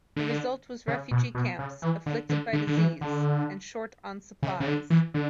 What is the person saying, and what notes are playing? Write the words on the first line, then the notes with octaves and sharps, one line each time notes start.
The result was refugee camps afflicted by disease and short on supplies.
D3
C#3
B2
B2
C#3
E3
D3
D3
D3
D3
E3
D3
C#3
C#3
D3
E3
D3